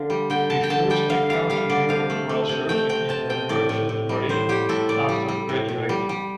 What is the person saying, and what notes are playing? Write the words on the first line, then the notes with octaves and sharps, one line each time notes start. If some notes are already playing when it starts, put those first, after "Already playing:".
He first encountered Europe while serving in the Merchant Marine after graduating.
Already playing: D3 F5
G3
D3 G5
D3 A5
G5
D3 A5
G3 G5
D3 F5
G3 F5
G3 F5
D3 D5
C3 F5
A3
A3
C3
A3 G5
C3 G5
C3 A5
C3 G5
A2 D5
A2
A2
G3
A2 C5
G3 G4
A2 A4
A2 D5
G3
G3
A2
A2
G3
G3